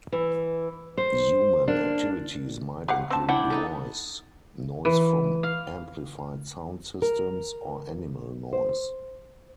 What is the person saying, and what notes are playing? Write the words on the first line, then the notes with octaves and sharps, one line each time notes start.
Human activities might include voice, noise from amplified sound systems, or animal noise.
E3
C5
A#3 D4
G4 F5 F#5
C4 A5
D4 E4 F#5 G5
D#4 A4
E3
F5
A#4
C5